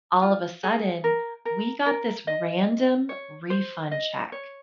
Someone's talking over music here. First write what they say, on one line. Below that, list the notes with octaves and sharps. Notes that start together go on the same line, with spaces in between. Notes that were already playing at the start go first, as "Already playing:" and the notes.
all of a sudden, we got this random refund check
F4
G#4
A#4
A#4
A#4
D#5
C#5
C5
D#5
C#5